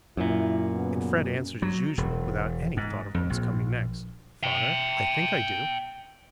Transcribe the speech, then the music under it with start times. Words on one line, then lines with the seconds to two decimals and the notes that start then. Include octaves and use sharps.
And Fred answered as usual, without any thought of what was coming next, "Father, I think I do."
0.17 F#2 A#2 E4
0.74 C#3 B3
1.62 F#3
1.98 E1
2.77 G#2
3.15 F2
3.30 A#1
4.43 E5 G5